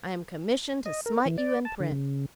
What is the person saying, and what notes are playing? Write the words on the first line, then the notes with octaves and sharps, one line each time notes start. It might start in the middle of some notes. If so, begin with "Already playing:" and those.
I am commissioned to smite you in print.
D#5
A#4
E3
D5
A5
D3
C#3